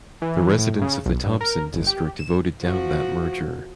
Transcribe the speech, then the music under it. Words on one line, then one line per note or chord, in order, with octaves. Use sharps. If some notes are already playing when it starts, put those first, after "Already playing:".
The residents of the Thompson district voted down that merger.
E3
E3
A2
C#3
B1
G2
A#4
G1
G4
E7
F3 F#4